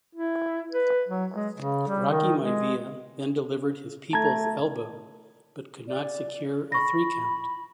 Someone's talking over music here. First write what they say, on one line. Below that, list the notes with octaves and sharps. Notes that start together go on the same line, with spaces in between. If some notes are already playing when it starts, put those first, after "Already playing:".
Rocky Maivia then delivered his People's Elbow, but could not secure a three-count.
E4
B4
F#3
G#3
C#3
G3
D#3
G#3
A3 A5 A#5 G#6
D5
B5 C#6 A#6